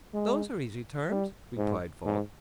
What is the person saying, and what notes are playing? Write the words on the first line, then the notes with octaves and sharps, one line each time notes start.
"Those are easy terms," replied Falk.
G#3
G3
G#2
G#2